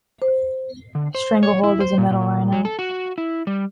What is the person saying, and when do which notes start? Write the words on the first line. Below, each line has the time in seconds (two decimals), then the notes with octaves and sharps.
Stranglehold is a metal rhino.
0.22 C5
0.95 D3
1.15 C5
1.43 C#5
1.64 E4
1.80 C5
1.98 A#2
2.10 A#2
2.52 F#3
2.65 A4
2.79 F#4
3.18 E4
3.47 G3